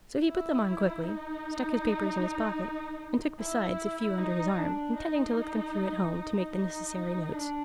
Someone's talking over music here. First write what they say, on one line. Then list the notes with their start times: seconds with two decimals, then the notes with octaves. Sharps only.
So he put them on quickly, stuck his papers in his pocket, and took besides a few under his arm, intending to look them through at home to make the necessary notes.
0.24 E4
1.03 D#4
3.39 E4
4.18 D#4
4.57 D4
4.97 D#4
6.54 D#4
7.33 D4